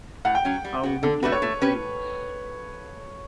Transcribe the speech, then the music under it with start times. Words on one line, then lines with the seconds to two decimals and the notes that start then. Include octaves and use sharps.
How will we give the things?
0.25 A2 F#5
0.35 G5
0.45 F#3 C#4
0.65 G3
0.83 B3 F#4
1.03 D3 A4
1.23 A3 D4 F#4 B4
1.32 C#5
1.42 A3
1.62 C#4 G4 B4